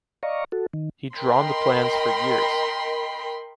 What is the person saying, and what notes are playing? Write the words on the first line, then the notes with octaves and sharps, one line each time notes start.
He drawn the plans for years.
D5 D#5 F5 A#5 C#6
F#4 A4
D#3
A#4 D#5 G5 B5 C6